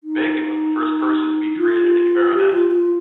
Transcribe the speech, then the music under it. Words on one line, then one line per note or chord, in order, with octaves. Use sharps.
Bacon was the first person to be created a baronet.
D#4
F4
G4
F4
F4